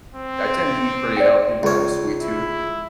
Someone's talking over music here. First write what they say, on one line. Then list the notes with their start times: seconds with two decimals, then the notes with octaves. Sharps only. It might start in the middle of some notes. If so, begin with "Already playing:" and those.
I I tend to eat pretty healthy, but I have a sweet tooth,
0.15 C4
1.17 D5 G5
1.63 C#2 C#5
2.21 E4